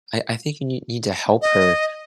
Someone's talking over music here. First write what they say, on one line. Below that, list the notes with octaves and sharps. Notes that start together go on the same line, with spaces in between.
I I think you nee need to help her,
D#5